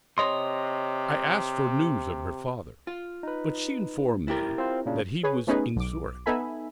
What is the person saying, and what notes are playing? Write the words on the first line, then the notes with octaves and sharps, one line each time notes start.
I asked for news of her father, but she informed me that he was in Zurich.
C3 C#5 D#5 C6
F4
D#4 B4
E4 G4 A#4
C4 F4 C5
A#2 C#3 D4
G#4 B4 C#5
A3 B3 C#4 D#4 G#4 B4
B1 D6
B3 D#4 A4 E5 G#5 B5